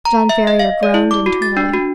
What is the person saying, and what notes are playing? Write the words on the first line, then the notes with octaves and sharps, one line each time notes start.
John Ferrier groaned internally.
A#5
E5
D#5
F5
D5
E4
D6
F#4
A6
D4
F#4